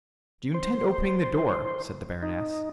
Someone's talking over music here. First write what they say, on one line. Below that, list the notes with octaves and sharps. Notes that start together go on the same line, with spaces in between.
"Do you intend opening the door?" said the baroness.
C5
D#4